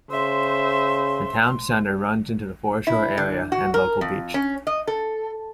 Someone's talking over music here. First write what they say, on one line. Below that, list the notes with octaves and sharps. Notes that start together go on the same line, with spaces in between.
The town centre runs into the foreshore area and local beach.
C#3 C5 E5 C6
E4
D3
F#4
A#4
F2
C#4
D#5
A4